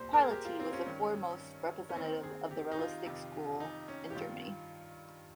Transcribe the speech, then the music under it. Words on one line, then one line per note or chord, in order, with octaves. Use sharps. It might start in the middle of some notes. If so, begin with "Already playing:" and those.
Piloty was the foremost representative of the realistic school in Germany.
Already playing: C2 A#2 C5
A#4
G#4
G4
F4
C4
C#4
G2 D#3
C#4
D#2 D#3 C4
G#4
G4
D#4
F4
F2 C3 D#3
D#4
C#4
G4
G2 D#3 F4